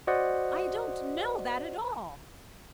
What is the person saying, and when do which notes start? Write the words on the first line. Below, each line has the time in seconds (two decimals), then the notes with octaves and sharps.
I don't know that at all!
0.07 F#4 C5 D5 D#5 F#5